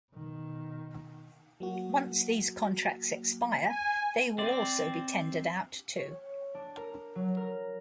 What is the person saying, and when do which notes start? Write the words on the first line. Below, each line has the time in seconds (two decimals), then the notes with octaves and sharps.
Once these contracts expire, they will also be tendered out too.
0.12 B2 D#3
1.60 F#3 A#3 F#4
3.70 G#5
4.38 C4 D5
5.97 C#5
6.55 D4
6.77 A#4
7.15 F#3
7.37 A#4